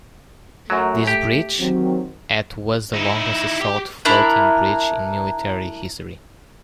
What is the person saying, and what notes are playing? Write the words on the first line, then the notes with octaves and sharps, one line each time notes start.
This bridge, at was the longest assault floating bridge in military history.
F#2 F#3 A3
G4
D#3 F#3 C4
D#4 E4
G4
D4 E4 A#4